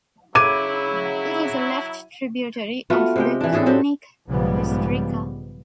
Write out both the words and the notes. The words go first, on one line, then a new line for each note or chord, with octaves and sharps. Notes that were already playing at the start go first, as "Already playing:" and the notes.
It is a left tributary of the Kamnik Bistrica.
C#3 F#3 E4 D6 G#6 D#7
A3 B3 F4 F#4
C3 G#3 G5
E3 D4
A2 D4 G#4 A4
F#3 C4 G4
B1 G#2 C#3 F3 G3 B3